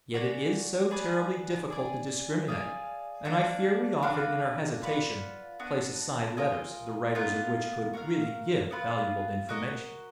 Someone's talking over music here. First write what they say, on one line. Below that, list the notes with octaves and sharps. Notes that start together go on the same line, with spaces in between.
"Yet it is so terribly difficult to discriminate, and I fear we often, in our hesitation, place aside letters, the writers of which could really give valuable information."
F#4 D5 G#5
G#4 B4 D5
G#4 D5 G#5
G#4 D5 F5 G#5
A#3 D4 F#4
D4 F#4 B4 F5
F4 B4 D5 F#5
B3 D4 F#4
F4 A#4 D#5 G#5
B3 F4 A#4 D#5
F#4 A#4 F5
B3 F4 B4 F5
F#4 A#4 D#5